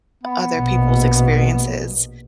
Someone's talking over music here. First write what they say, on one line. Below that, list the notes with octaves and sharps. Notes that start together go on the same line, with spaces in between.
other people's experiences.
B3
A#1 B2